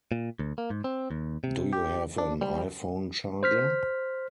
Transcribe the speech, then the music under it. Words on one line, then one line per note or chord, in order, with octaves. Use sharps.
Do you have an iPhone charger?
A#2
D2
A#3
G#2
C4
D#2
C3
G4
D4
G3
C5 F6 B6